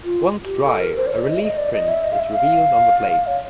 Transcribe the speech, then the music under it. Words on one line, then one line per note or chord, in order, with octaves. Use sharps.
Once dry, a relief print is revealed on the plate.
F4
G4
A4
A#4
C5
D5
C#5
D5
D#5
E5
D#5
D5
D#5
E5
D#5
F5
E5
F5
F5
C#5